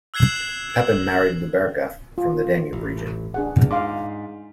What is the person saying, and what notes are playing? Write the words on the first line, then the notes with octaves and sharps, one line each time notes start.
Pepin married Leutberga from the Danube region.
E6 F#6 G#6 C7 E7 F#7
F4
A1
D4 G#4 F#5
D#1 E2
G#2 F5 C6 D6